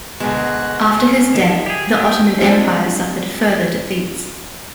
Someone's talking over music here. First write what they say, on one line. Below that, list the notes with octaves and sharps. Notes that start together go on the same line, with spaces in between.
After his death, the Ottoman Empire suffered further defeats.
D2 B2 G#3 F#4
C#4
D#3 E5
G4 G#4 B6
G5 D#6 B6
F3 G3 G#3 C4 D4